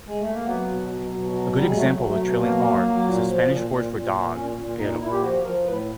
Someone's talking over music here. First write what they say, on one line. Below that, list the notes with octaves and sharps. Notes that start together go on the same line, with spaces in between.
A good example of a trilling R is the Spanish word for dog, "perro".
G#3
A3
A#3
F#3 B3
B2
F#3
B2
F#3
F#3 G3
G#3
F#3 A3
F#3
A3
B2
F#3 A#3
F#3
F#3
A#2
F3
A#2
A#2
A#2
A#2
A#2 C#4
A#2
A#2 D#4
A#2 E4
G4
F3 F#4
F3 A#4
A2 B4